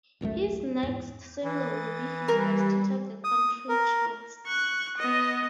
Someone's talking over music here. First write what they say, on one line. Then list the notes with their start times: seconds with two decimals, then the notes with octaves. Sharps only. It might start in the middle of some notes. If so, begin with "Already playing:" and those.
His next single would be his first to top the country charts.
0.21 G#1 C#2 F#2 A3
0.83 E2 G#2
1.44 E3 D#6 A6
2.28 G3 A#4
3.24 D#6
3.69 A#4
4.47 C#6 F#6
4.98 B3 D#5